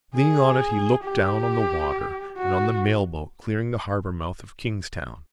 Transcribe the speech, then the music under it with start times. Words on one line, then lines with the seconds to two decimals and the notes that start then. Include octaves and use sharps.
Leaning on it he looked down on the water and on the mailboat clearing the harbourmouth of Kingstown.
0.16 G#4
1.04 G4
2.37 F#4